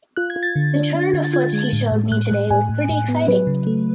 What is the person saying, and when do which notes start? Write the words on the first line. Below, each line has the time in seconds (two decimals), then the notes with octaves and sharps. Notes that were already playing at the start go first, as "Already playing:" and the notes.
The turn of foot he showed me today was pretty exciting.
0.16 F4 F#6
0.30 G#6
0.36 F4
0.43 A6
0.56 D3
0.75 D4
0.95 D4
1.14 D3
1.24 A6
1.33 F4 G#6
1.53 G#3
1.73 A2
1.91 A2
2.11 A2 F#6
2.31 A2
2.50 A2 G#5
2.69 A2
2.89 A2
3.08 B3
3.28 F#3 B4
3.47 C#3
3.67 A3